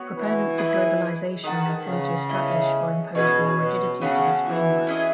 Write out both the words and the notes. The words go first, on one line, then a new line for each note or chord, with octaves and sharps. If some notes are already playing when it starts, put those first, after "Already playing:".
Proponents of Globalization may tend to establish or impose more rigidity to this framework.
Already playing: B3 F#4 C#5
E3
E4 G#4 B4 D#5
D#3 G#4 B4 F#5 A5
C#3
B3 E4 A4 D#5
B2 C#4 G#4 C#5 G#5
B2
C#3 B3 F#4 A4
E3
C#4 E4 G#4 D#5